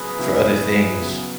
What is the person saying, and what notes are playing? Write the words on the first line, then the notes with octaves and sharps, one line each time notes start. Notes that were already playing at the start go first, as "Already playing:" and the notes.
for other things,
Already playing: C#3 F#3 B3 G#4 B4
C#3 F#3 B3 E4
C#3 F#3 B3 E4